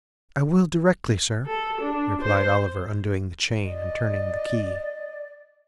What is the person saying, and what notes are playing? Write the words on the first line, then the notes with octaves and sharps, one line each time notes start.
'I will, directly, sir,' replied Oliver: undoing the chain, and turning the key.
A4
D4
C5
D5 D#5